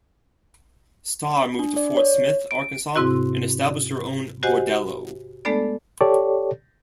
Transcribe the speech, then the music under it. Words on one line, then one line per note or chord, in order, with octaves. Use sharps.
Starr moved to Fort Smith, Arkansas and established her own bordello.
D4
D5
C#5
D7
G#2 C3 C4 E4 F#4
F#4 G4 C5 D#5 F#5 G#5
G#3 A3 B3 D4 A4 D5
G4 A4 C#5 D5